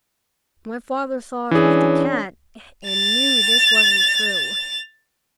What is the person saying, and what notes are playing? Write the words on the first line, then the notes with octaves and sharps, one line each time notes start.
My father thought of the cat and knew this wasn't true.
E3 C#4 D4 G#4
A6 F7